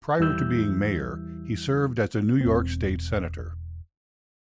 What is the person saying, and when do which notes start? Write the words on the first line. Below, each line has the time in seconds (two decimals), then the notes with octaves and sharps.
Prior to being mayor, he served as a New York State Senator.
0.19 E2 E3 G3 E4 E6 G6
2.41 E1 C4